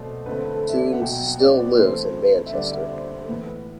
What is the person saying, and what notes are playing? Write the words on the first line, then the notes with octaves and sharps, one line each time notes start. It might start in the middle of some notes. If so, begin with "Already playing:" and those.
Tunes still lives in Manchester.
Already playing: B2 F#3 A3 C4 C5 D5
D3 A3 C4 B4
B4
A4
B4
E5
D5
E5
F#5
B2 F#3 B3 G5
G5
F#5
D5
C5
D5
A2 E3 A3 C4 C5
E5
D3 G3 B3 D5
E5
D5
C5
A4
A2 E3 B3 B4
B4